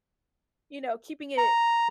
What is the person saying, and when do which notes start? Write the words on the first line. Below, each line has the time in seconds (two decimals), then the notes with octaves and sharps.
you know, keeping it,
1.38 A#5